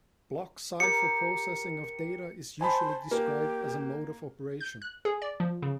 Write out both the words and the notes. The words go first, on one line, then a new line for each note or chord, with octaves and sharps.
Block cipher processing of data is usually described as a mode of operation.
G4 A#4 C#7
C5 G#5 A5 B5
A#3 G4
G6
F#6
G#4
D5
F3
C#3